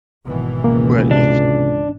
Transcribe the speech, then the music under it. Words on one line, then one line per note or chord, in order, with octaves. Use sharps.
but y
G#1 B2 E3
C#2 A#3
C3 D4